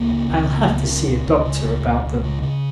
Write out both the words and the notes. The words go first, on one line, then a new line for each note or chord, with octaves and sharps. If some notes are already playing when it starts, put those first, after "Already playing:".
I'll have to see a doctor about them.
Already playing: C#2 A#3
C#3
C#2 C4
C#3
A#3
C#2
A#3
C4
C#3
C#2
C#2
C#3
C#2
C#2
C#2
C#3
C#3